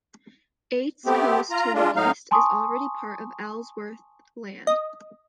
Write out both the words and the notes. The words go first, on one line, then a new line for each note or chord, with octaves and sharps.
Eights Coast to the east is already part of Ellsworth Land.
A3 B3 C4 G4
F4 A#5
G#3 D4 F4
A2 F#3 D#4 F5
G#5 A5 C6 C#6 D#6
D#5